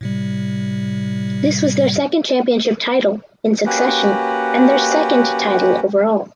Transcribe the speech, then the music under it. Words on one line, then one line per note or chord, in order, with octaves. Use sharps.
This was their second championship title in succession and their second title overall.
A2 C3 G3
A#3 C#4 F#4 G4 B4